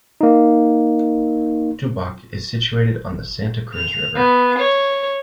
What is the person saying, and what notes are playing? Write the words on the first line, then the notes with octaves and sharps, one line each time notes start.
Tubac is situated on the Santa Cruz River.
A#3 D#4
F7
B3
C#5